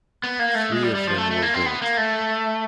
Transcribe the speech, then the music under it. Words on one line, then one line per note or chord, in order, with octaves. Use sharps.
Three of them were built.
B3
A#3
A3
G#3
G3
G3
F3
A3
A3
A#3
C4
B3
A#3
A3